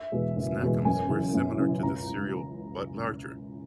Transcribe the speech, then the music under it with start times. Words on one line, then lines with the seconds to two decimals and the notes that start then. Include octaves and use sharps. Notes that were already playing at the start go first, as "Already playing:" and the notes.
Snack Ums were similar to the cereal but larger.
Already playing: E5
0.12 E2 B2 G#3
0.36 F#1
0.62 E2 B2 G#3
0.85 F#2 G#5
1.10 C#3 E3
1.34 F#2
1.59 C#3 E3
1.83 C#2 A#5